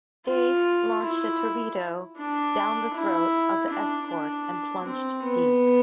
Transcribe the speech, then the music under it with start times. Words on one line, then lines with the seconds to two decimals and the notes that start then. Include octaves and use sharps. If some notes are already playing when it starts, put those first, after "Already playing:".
"Dace" launched a torpedo "down the throat" of the escort, and plunged deep.
0.26 F4
1.02 E4
2.17 D4
2.94 E4
3.69 D4
4.07 D4
4.84 C4
5.23 B3